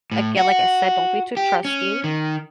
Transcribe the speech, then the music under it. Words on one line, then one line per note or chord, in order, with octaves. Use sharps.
again, like I said, don't be too trusting,
A2
F#4
G4
C#4
D#3